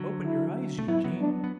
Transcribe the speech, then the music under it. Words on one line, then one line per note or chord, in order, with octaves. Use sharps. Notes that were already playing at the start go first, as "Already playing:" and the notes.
Open your eyes, Eugene?
Already playing: D3 F#3
E4
A3
F#3 B3 E4
F#3 B3
D4
B3